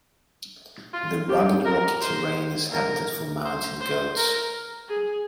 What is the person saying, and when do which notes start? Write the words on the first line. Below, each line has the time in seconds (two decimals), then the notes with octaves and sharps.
The rugged rocky terrain is habitat for mountain goats.
0.94 F4
1.29 G4
1.65 A#4
2.01 C5
2.73 A#4
3.45 C5
3.81 C5
4.17 A#4
4.89 G#4